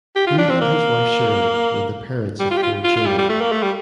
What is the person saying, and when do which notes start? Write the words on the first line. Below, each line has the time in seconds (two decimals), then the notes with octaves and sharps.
He and his wife Shirley were the parents of four children.
0.16 G4
0.26 F4
0.38 D4
0.49 C4
0.61 A#3
2.40 G3
2.51 F4
2.57 G4
2.63 F4
2.84 F4
2.96 F4
3.06 G3
3.18 G3
3.30 A3
3.41 A#3
3.52 A3
3.62 G3